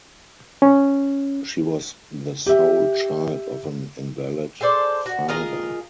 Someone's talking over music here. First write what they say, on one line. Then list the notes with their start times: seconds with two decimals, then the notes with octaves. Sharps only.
She was the sole child of an invalid father.
0.62 C#4
2.46 G4 E5
4.61 G#4 A4 C5 D5
5.06 F#4
5.28 F4 G#4 A#4 D#5